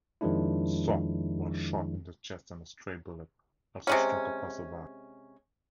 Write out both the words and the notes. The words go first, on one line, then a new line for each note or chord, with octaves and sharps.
Soh was shot in the chest and a stray bullet also struck a passerby.
F2 D#3 F3 G#3 D4 E4
C3 G#3 C#4